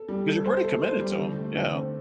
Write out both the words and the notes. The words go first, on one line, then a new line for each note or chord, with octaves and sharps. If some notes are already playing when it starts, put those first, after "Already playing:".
'Cause you're pretty committed to 'em, yeah.
Already playing: A4
G3
A4
C5
A4
C5
G3
D3
A3
D3
C4